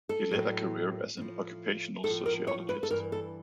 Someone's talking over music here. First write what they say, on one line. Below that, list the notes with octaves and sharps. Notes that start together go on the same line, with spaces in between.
He led a career as an occupational sociologist.
A4
A2 F#3
A2 F3
A2 F3 A4
A#4
C#5
B4
A4
G2 E3 A#4
A4